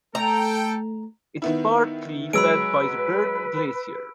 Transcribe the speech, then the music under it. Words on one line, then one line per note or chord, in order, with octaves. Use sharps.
It is partly fed by the Berg Glacier.
A3 A4 G5 A#5
D#3 B3 E4
F#3 G#3 B4 B5 E6 D7